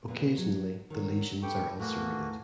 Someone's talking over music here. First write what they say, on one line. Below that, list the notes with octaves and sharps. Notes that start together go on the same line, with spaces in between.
Occasionally the lesions are ulcerated.
A#2 B3
F#3
D#3 F#3 G3
G4 A4 B4 G5 C#6
A2 E3 A#3 F#4